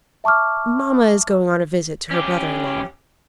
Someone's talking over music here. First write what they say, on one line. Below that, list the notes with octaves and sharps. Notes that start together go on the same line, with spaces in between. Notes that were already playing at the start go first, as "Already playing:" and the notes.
"Mamma is going on a visit to her brother-in-law."
E5 A5 C#6 D6 F6
C#4 G4